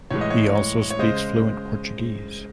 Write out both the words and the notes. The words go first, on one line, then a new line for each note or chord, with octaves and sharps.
He also speaks fluent Portuguese.
A2 E3 G#3 C#5
D#5
C#5
C#5
C#5
C#3 G#3 C5 D#5